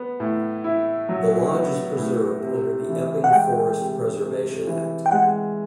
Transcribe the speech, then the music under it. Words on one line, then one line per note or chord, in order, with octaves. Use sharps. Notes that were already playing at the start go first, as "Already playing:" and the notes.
The lodge is preserved under the Epping Forest Preservation Act.
Already playing: B3
A2
E4
F#3
B3
A2
C3
E3
F#5
G#3 G5
C3
C3
E3
G5
G#3 F#5